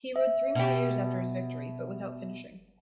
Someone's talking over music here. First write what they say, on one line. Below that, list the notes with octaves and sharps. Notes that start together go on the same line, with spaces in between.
He rode three more years after his victory but without finishing.
E5
B2 G4